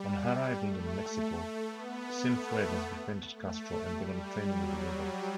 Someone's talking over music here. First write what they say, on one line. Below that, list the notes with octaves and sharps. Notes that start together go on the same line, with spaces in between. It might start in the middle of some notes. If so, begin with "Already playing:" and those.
On arriving in Mexico, Cienfuegos befriended Castro and began training with the rebels.
Already playing: G3
A3
B3
A3
A3
G3
F#3